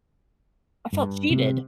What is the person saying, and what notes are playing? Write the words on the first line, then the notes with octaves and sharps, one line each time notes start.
I felt cheated!
G2
C3